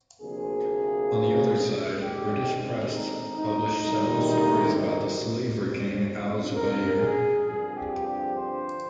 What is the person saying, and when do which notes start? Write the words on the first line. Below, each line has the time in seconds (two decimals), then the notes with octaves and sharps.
On the other side, British press published several stories about “The slaver king” Al-Zubayr.
0.21 D2 C3 F3 A#3 G#4
2.01 D#2 D3 G#3 C4 G4
2.91 D#4
3.37 D#4
3.82 D2 C3 D#3 G3 D#4
4.28 D#4
5.63 F2 D3 F3 C4
6.54 A#4
6.99 G#4
7.44 G2 D3 F3 C4 G#4
7.75 G4
8.04 G4
8.34 C5